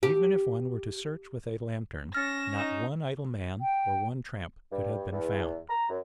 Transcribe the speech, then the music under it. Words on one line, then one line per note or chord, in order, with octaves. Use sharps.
Even if one were to search with a lantern, not one idle man or one tramp could have been found.
G4
C#4 F6 A6 A#6 C#7 E7
D#4
G5
G2
E2
A#5
F#2